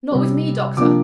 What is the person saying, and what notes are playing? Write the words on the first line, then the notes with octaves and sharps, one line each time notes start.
'Not with me, Doctor.
C3 G3 C4
C3 F3 A#3 D4 D6